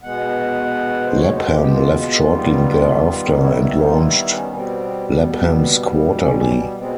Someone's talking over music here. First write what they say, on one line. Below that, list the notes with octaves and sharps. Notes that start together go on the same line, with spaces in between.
Lapham left shortly thereafter and launched "Lapham's Quarterly".
B2 G#3 B3 F#5
C5
C#5
C5
G4
F4
D#3 G3 B3
E4
E4
D#4
F4
E4
E4
C#4
B2 G3 B3 C4
B3
C#4
C#4
B3
B2 G#3 B3 C4